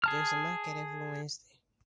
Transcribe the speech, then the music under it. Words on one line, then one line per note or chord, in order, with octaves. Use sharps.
There is a market every Wednesday.
G#4 A5 F6